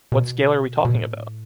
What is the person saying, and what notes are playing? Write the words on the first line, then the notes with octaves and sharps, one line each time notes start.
What scale are we talking about?
B2
B2
A2